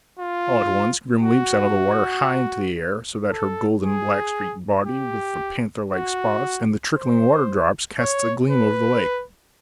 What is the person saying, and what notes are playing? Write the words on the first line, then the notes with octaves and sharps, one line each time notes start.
All at once, Grim leaps out of the water high into the air, so that her golden, black-streaked body, with the panther-like spots and the trickling water-drops, casts a gleam over the lake.
F4
F#4
A4
G#4
G4
F#4
C5
C#5
B4